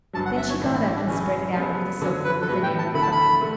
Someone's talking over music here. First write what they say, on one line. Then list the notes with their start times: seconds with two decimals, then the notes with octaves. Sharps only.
Then she got up and spread it out over the sofa with an air of pride.
0.13 G1 G2 F#3 A5
0.25 F#5
0.37 E5
0.49 C#5
0.60 A1 A2 E3 D4
0.72 E4
0.84 D4
0.90 E4
0.96 D4
1.07 F#2 C#3 E3 C#4
1.55 F#2 C#3 G3 B3
2.00 F#2 D3 F#3 C#4 D4
2.24 B4
2.41 A4
2.47 A2 G3 B3 F#4 B4
2.63 G5
2.78 A5
2.94 D2 D3 A3 E4 B5
3.02 A5
3.12 B5
3.41 D3 A3